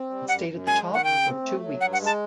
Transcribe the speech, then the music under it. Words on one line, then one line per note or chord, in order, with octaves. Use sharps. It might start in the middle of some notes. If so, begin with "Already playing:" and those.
It stayed at the top for two weeks.
Already playing: C4
G3
F#2 F#5
F#2
G#3 G#5
D#3
F#5
C#3 G5
C4
A3
F#3
G2 F#5
F#5
G#3
A5